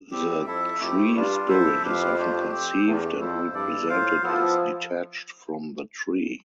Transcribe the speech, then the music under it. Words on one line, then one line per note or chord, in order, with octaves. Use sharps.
The tree-spirit is often conceived and represented as detached from the tree.
G3 C4 G4
F2 E4 A4 E5
F2 A3 E4 G4
G2 G3 D4 F4
F2 E4 A4 C5 E5
F2 E4 G4 B4 F5
A3 D4 G4 C5
C4 G4 C5
E2 A3 D4 G4
F2 E4 A4 C5
G2 E4 A4 D5
A2 F4 C5 F5
F3 B3 E4 A4